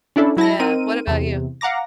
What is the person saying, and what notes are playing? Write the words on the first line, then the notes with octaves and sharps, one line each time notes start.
Yeah, what about you?
C#4 D4 E4 A4 D5
F#3 E4 A5 A#6
C4 D#4 A#4 D#7
E2 C3
F5 F#5 A#5 D6 A#6